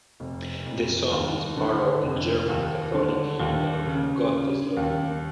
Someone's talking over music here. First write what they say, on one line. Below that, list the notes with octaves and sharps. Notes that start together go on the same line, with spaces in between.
The song is part of the German Catholic hymnal "Gotteslob".
F1
F1
D#2
D3
F1
D#2
D3
D#2
C#3
C#3
D#2